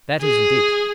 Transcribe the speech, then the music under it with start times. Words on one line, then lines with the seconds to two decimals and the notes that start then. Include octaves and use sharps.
That isn't it.
0.21 G#4